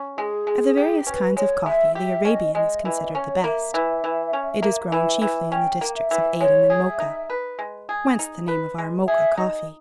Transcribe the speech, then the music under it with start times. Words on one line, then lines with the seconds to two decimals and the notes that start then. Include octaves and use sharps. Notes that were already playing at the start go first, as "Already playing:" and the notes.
Of the various kinds of coffee the Arabian is considered the best. It is grown chiefly in the districts of Aden and Mocha; whence the name of our Mocha coffee.
Already playing: C#4
0.18 G#3 G#4
0.47 G#3
0.77 G4
1.06 C#4 B4
1.36 G#3 C#5
1.65 G#3 E5
1.95 G4 E5
2.25 C#4 D#5
2.55 G#3 D#5
2.75 E5
2.85 E3 D#5
3.03 D#5
3.14 C#4 C#5
3.44 A#3 E5
3.74 E3
4.04 E3
4.33 C#4
4.63 A#3
4.92 E3
5.22 E3
5.52 C#4 G5
5.81 A#3
5.96 E5
6.11 E3
6.41 G#3 C#5
6.70 G#4
6.85 E5
7.00 D#4
7.30 B4
7.59 G#3
7.89 G#4
8.19 D#4
8.48 B4
8.78 G#3
9.07 G#4 E5
9.37 D#4 D#5